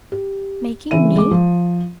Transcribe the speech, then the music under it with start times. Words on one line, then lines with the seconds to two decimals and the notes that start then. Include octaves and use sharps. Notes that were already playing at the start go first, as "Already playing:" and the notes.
Making me?
0.12 G4
0.91 C#3 E3 C4 E5 D#7
1.16 G#3 D6
1.31 F3